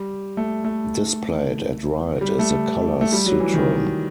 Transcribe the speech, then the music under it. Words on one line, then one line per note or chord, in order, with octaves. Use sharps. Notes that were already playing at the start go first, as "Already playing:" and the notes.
Displayed at right is the color citron.
Already playing: G3
A3
A3
G3
A3
A3
G3
F#3
E3
D#3